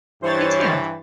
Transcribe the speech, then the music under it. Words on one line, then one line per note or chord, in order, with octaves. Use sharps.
Me too.
G2 E3 C5 C#5 A6